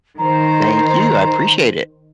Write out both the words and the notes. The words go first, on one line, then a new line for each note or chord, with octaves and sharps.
Thank you, I appreciate it.
D#3 C5 A#5